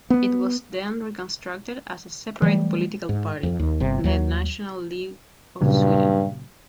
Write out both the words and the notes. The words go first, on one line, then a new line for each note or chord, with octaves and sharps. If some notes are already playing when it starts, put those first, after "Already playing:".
It was then reconstructed as a separate political party, the National League of Sweden.
B3
E3 F#3 G3 A3
G#2
F2
D#2
G1 C3
D#2 F#3
G2 A#2 C#3 F#3